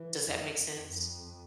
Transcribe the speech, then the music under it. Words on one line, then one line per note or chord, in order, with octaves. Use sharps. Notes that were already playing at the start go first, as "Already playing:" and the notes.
Does that make sense?
Already playing: E3
F2
F2